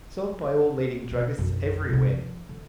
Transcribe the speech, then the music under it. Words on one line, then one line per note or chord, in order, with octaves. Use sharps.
Sold by all leading druggists everywhere.
B2
B1 F#2
C3 C4
F3
D3